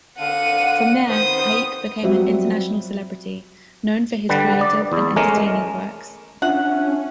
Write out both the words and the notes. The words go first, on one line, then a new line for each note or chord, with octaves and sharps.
From there, Paik became an international celebrity, known for his creative and entertaining works.
D3 F5 F#5 D#7
D#3 B3 C5 D#6
F#3 G3 C4 F4 F#4 E5
D3 G3 B4
D5
E2
G#3 A3 C#4 A#4
C#4 D4 F4 E5 F#5